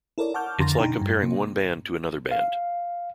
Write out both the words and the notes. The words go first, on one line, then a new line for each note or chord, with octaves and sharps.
It's like comparing one band to another band.
E4 A4 A#4 C#5 D5
F#5 A5 C#6 D6 F6 G6
F2 D3 A#5 C6 A6 A#6
B2 D4 D#4 G5 G#5 A#5
G2
C3 A#3
F5